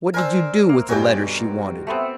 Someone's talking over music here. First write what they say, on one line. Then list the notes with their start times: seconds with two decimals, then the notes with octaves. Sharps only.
"What did you do with the letters she wanted?"
0.14 D4 A#4 C5 G#5 E6
0.69 A#3
0.89 B1 G2 F#4 G5 G#5
1.87 A3 B3 C4